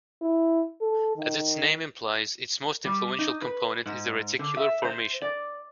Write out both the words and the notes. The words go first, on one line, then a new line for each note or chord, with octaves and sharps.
As its name implies, its most influential component is the reticular formation.
E4
A4
D#3
G3
D#4
B4
G#2
D3
E5
C5
D5